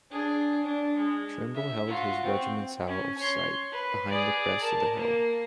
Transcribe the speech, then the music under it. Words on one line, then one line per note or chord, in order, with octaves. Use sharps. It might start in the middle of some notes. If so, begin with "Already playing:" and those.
Trimble held his regiments out of sight behind the crest of the hill.
D4 G#4
D4
G#3
E5
F4 F#4
C4
C#4
C#5 C6
B4
G#4 D5
A#4 A5
A#3